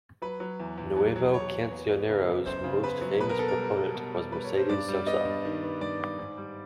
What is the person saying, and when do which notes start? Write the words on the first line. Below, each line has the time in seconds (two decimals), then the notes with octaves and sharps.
Nuevo Cancionero's most famous proponent was Mercedes Sosa.
0.22 F#3 B4
0.40 F#3
0.60 E2
0.78 E2
0.96 F#3
1.16 F#3
1.33 E2 C#5
1.53 E2
1.71 B3
1.89 B3
2.09 C#3
2.27 B3
2.46 F#2 C5
2.64 C#3
2.83 B3 B4
3.01 F#3
3.20 B2 B4
3.29 A#4
3.38 B3 A4
3.48 A#4
3.57 G3
3.77 B2
3.95 B2
4.14 G3
4.32 G3 B4
4.44 C#5
4.51 B3
4.57 C5
4.69 G2 D5
4.88 G3
5.07 B3 D#5
5.25 G2
5.45 D#3
5.63 B3
5.81 G2 D5
6.00 G2
6.18 G#2
6.37 G3